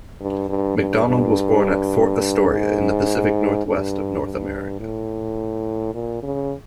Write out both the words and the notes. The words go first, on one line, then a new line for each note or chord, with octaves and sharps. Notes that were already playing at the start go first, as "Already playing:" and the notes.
MacDonald was born at Fort Astoria, in the Pacific Northwest of North America.
G2
G2
G2
G2
G#2
G2
G2
A2
A#2
C#3